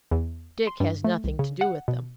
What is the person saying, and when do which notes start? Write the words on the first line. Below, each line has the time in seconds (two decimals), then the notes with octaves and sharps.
Dick has nothing to do with them.
0.11 E2
0.67 C6
0.80 G2
1.04 A3
1.24 C2
1.39 C#3
1.61 F#5
1.88 B2